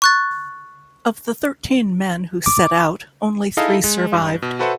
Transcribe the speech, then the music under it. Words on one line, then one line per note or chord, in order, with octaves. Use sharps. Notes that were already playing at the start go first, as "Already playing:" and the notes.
Of the thirteen men who set out, only three survived.
C#6 F#6 A6
D6
D#4 E4 G#4 A4 D#5 F5
G#3
G2
B2
F#4 A4 B4 C5 E5 F#5